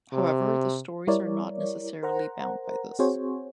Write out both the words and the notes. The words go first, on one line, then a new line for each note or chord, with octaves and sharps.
However, the stories are not necessarily bound by this.
C3
G3 E4 A#4 C#5 D5
A#4 C5 F#5 A#5
C4 F#4 G#4 C5 C#5